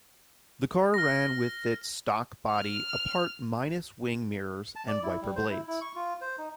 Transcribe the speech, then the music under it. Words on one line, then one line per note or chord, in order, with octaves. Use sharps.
The car ran with its stock body apart minus wing mirrors and wiper blades.
F6 A#6
F6
A5
D5
E4
G3
C5
E4
E4
C#6
F4
C5
D#4